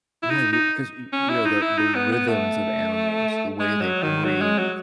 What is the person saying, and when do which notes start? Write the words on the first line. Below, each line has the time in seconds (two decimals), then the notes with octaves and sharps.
yeah, you 'cause, you you know, the the rhythms of animals, the way they breathe,
0.23 E4
0.30 D#4
0.53 D#4
1.13 C#4
1.30 E4
1.46 D#4
1.62 E4
1.78 D#4
1.95 B3
2.12 B3
2.28 A3
3.60 G#3
3.81 F#3
4.03 D#3
4.25 F#3
4.41 G#3
4.58 F#3